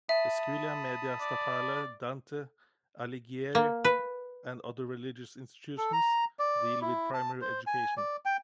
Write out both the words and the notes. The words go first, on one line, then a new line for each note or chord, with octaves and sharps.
The Scuola Media Statale "Dante Alighieri" and other religious institutions deal with primary education.
E5 A5 B5 D#6
D5
A#3
B4
A4
A#5
D5
E4
A5
C5
G#5
D5
G5